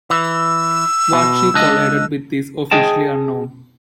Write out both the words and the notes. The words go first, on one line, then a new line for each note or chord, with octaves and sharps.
What she collided with is officially unknown.
E3 E6
B2
C#2 D4 D#5
G#4 D#5 G5 A5